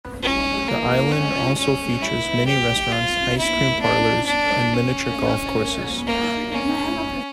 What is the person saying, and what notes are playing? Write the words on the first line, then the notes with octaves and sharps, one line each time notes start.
The island also features many restaurants, ice cream parlors, and miniature golf courses.
C#4
A#3
C#4
C#4
E4
G4
F4
E4
D4
D4
C#4
A#3
C#4